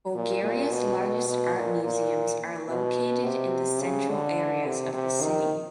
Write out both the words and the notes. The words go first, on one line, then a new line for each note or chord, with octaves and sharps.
Bulgaria's largest art museums are located in the central areas of the city.
A#2
A#2
B2
B2
B2
A#2
A#2
B2
C3
C#3
D3
C3
C3
D#3